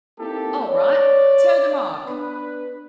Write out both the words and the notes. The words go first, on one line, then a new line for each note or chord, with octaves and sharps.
"All right, toe the mark!"
A#3 C4 D#4 E4 G4 A4
C#5 D5
B3 D4 B4